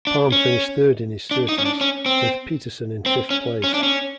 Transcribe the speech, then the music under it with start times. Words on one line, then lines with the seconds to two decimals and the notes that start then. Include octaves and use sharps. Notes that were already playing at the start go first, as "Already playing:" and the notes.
Palm finished third in his Surtees, with Peterson in fifth place.
0.07 D4
0.32 C#4
1.31 D4
1.49 D#4
1.58 C#4
1.65 D4
1.81 C#4
2.06 C4
3.06 C4
3.31 C#4
3.64 C#4
3.74 D4
3.83 C#4